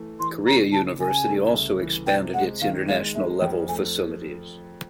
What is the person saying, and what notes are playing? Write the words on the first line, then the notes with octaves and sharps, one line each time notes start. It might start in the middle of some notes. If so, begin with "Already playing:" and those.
Korea University also expanded its international-level facilities.
Already playing: E3 A3
E3 C6
C#3 A#5
C#3 A5
C#3 G#5
A3
C2
E3
C3 G5
G#3 F#5
D#3 F5
G#3 F5
G#3 E5
F2 G5
A3 G#5